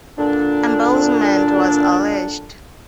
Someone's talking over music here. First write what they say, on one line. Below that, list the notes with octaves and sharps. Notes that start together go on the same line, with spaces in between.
Embezzlement was alleged.
A#2 D3 D4